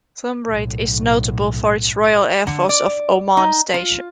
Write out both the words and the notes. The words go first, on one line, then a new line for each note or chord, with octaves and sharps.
Thumrait is notable for its Royal Air Force of Oman station.
B1 A2
D3
D5
D#4
F4